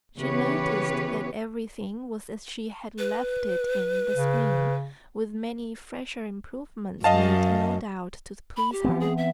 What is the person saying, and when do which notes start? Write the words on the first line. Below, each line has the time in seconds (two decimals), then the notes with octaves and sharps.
She noticed that everything was as she had left it in the spring, with many fresher improvements, made, no doubt, to please her.
0.18 C#3 E3 B3 G4 B4 C#5
2.98 B4
4.15 C#3
7.04 F#2 D#5 F5 A5
8.57 B5
8.72 G4
8.84 E3 B3 C4
9.00 G#4
9.18 E5